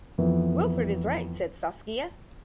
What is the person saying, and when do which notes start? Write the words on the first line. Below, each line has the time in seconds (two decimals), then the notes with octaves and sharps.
"Wilfred is right," said Saskia.
0.18 F2 E3 B3